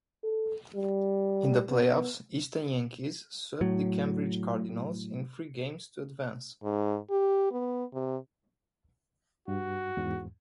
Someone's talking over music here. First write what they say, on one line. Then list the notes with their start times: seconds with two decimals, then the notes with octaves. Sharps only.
In the Playoffs Easton Yankees swept the Cambridge Cardinals in three games to advance.
0.24 A4
0.75 G3
1.70 B3
3.61 A2 F#3
6.64 G#2
7.11 G4
7.52 B3
7.93 C3
9.48 G2 F#4
9.97 E2 G#2